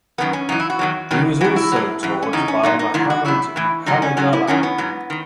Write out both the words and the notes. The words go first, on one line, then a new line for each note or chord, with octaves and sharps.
He was also taught by Muhammad Hamidullah.
F#2 D#3 F#3 B3
C#4
F#2 E3 D#4
E4
F#4
E2 D#3 F#3
E2 D#3 F#3
F#2 E3 F#4
E4
A2 F#3
F#2 E3
C#4
E2 C#3 D#4
C#4
G#2 F#3 D#4
D#4
G#2 D#3 F#3 E4
F#4
F#2 E3 E4
A2 E3
G#2 F#3 D#4
C#4
G#2 F#3 C#4
E4
F#2 D#3 F#3 C#4
B3
G#2 F#3
D#3